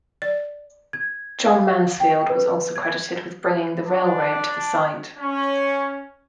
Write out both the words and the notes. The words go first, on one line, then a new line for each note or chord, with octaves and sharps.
John Mansfield was also credited with bringing the railroad to the site.
D5
G#6
F5
G5
B4
G#6
D4
C#4